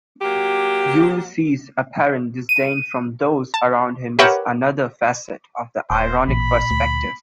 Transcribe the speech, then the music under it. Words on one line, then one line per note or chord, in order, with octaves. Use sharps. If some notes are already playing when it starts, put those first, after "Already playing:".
Ulysses' apparent disdain for those around him is another facet of the ironic perspective.
F#3 A#3 G4
D#7
A5
G4 A#4 B4 C#5 E5 F#5
D#1 C5
A1 A#2 B5
D2